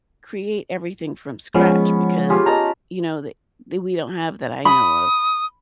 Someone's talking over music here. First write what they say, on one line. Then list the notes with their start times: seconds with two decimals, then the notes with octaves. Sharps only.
create everything from scratch because, you know, that- that we don't have that I know of-
1.54 F3 G#3 B3 C#4
2.30 F4 G4 G#4
2.46 D#5 A5 A#5
4.65 B5 D#6